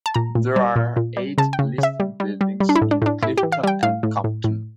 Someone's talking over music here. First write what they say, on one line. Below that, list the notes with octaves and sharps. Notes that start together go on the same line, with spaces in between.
There are eight listed buildings in Clifton and Compton.
A5
A#2 A#5
A#2
G3
A#2
A#2
G3
C#3 A5
G5
C#3
C#3 E5
G3
G3
G3
G3
D4
E4
A2
D4
A2 D4
A2 E4
G4
E3
F5
G3 G5
A2 F5
A2
A2
A2